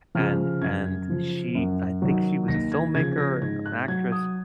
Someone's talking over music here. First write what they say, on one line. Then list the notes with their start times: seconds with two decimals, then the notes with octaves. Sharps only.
And and she I think she was a filmmaker, an or an actress,
0.15 C#3 F3 F6
0.62 F#2 G#6
1.08 C#3 F3
1.55 F#2
2.02 D#3 F#3
2.48 D#2 A#6
2.72 G#6
2.94 C#3 F3 G#6
3.18 A#6
3.41 G#2 G#6
3.66 F#6
3.88 F#3 G#6
4.12 D#6